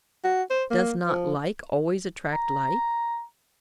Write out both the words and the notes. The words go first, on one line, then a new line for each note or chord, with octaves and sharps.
Does not like always attract like?
F#4
C5
A#3
F3
A#5